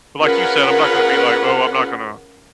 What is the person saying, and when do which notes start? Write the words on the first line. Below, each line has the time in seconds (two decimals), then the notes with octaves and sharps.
but like you said, I'm not gonna be like, "Oh, I'm not gonna
0.22 C#4 F4 G#4 A#4 B4 F#5